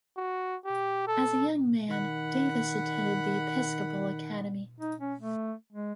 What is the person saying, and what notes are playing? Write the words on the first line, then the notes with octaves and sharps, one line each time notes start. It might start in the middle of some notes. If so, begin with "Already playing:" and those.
As a young man, Davis attended the Episcopal Academy.
F#4
G4
A4
D#3 F#5 B5
D#4
C#4
A3
G#3